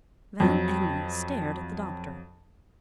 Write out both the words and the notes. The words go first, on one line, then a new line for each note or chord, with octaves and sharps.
Van Emmon stared at the doctor.
F2 F#3